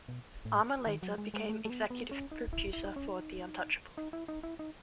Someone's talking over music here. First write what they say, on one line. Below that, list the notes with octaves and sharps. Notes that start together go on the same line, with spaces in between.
Armer later became executive producer for "The Untouchables".
B2
A2
D#3
F#3
G#3
G#3
A3
A3
B3
B3
C#4
D#4
E4
E4
D#4
C#4
D#4
D#4
E4
D#4
E4
D#4